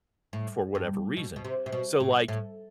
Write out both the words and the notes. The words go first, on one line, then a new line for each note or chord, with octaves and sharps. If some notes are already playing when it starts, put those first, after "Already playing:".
for whatever reason. So, like,
A2
G2
B2
B2
C3
C3
B2
A2
A2